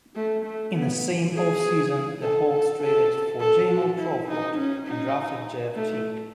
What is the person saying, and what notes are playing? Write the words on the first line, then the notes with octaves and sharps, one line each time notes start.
In the same offseason, the Hawks traded for Jamal Crawford and drafted Jeff Teague.
A3
A3
B3
G#4
A4
A4
A4
A4
F#4
E4
D#4
C#4
D#4
A3